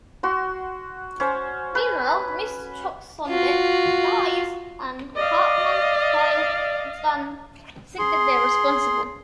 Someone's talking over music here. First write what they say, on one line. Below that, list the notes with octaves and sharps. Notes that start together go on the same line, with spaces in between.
Meanwhile, Ms. Choksondik dies and Cartman, Kyle and Stan think that they are responsible.
F#4 C6
C#4 C5
B4
F4 F#4
D5 D#5 F5
G#4 C6